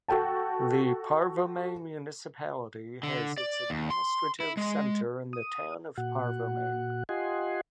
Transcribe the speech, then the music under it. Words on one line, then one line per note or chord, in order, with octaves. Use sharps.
The Parvomay Municipality has its administrative centre in the town of Parvomay.
F#4 A4 G5 A5
D3
D5
D#2
C6
E4
G#3
D#6
A#2 F#4 F#5
F4 G4 D#5 F#5 G#5 C6